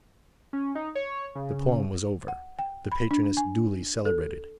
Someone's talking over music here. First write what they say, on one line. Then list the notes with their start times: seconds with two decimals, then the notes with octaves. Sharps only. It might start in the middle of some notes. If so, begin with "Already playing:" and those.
The poem was over, the patroness duly celebrated.
0.53 C#4
0.75 D#4
0.95 C#5
1.35 C#3
2.28 F#5
2.59 G5
2.92 B5
3.11 D4
3.37 G#5
4.05 A4